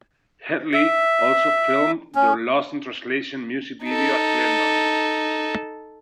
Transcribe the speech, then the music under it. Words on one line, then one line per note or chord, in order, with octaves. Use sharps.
Hedley also filmed their Lost in Translation music video at Glendon.
E5
C#4
D#4 A4